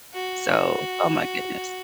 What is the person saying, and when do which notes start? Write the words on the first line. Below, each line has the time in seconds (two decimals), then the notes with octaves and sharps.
So Oh my goodness.
0.13 F#4